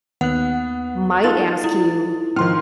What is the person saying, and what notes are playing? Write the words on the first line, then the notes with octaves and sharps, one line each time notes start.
might ask you
D#2 B3 F#5 F#6
D#4 F4 A4 A6
E4
G#2 D#3 F3 C#4 C6 F6